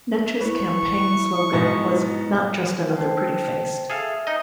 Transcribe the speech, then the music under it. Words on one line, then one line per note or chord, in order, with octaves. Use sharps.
Netsch's campaign slogan was Not just another pretty face.
E4 B4 C#6
G#2 B2 B3
C5 G5 A5
G#4 A4 E5 F5
D#4 D#5